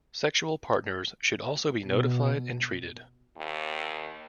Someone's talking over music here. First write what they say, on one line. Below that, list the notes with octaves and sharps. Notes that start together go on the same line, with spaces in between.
Sexual partners should also be notified and treated.
B2
D#2